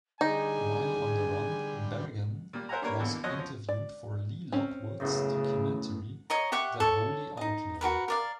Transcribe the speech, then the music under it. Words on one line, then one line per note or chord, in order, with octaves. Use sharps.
While on the run, Berrigan was interviewed for Lee Lockwood's documentary "The Holy Outlaw".
D3 G3 D#4 G#4 G#5
A#2 G3
A#4 C5 E5 F#5 G#5 A#5
G3 A#3 D4 A#4 B4 C#5
D#2 B2 D3 E3 A#3 B3
F#2 F3 F#4 C#5 D#5 F#6
F3
D5
C4 C#4
F#2 A2 C#3 B3
C#5 D#5 A#5
G4 E5 F#5 C#6
A4 C#5
D#4 D#5
F#4 G4 A#4 B4
A#4 D5 F5